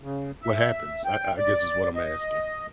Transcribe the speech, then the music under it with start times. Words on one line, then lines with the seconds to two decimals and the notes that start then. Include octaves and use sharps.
What happens, I I guess is what I'm asking.
0.03 C#3
0.42 E5
1.05 G5
1.38 D5
1.96 D#5